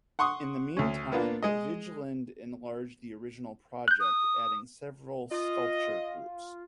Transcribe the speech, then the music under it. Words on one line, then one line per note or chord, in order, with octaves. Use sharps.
In the meantime Vigeland enlarged the original project, adding several sculpture groups.
F#5 C6 C#6 D#6
D2 C#4
A#3 B3 D4 F4
G#3 D#5
F#6 G6
D#6
F4 D#5